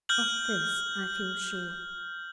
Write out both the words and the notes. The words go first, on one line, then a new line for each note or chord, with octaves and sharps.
Of this I feel sure.
F6 G6 F#7